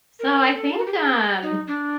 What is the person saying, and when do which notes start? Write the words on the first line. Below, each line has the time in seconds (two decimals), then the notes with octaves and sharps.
So, I think, um
0.19 A#4
0.55 A4
0.71 F4
0.79 F#4
0.86 G4
0.94 G#4
1.42 D#4
1.67 D4